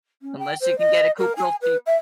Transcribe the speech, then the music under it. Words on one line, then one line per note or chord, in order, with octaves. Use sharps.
unless you can get a coop real cheap.
C#4
G5
C5
D#5
A#4
G#5
B4
E5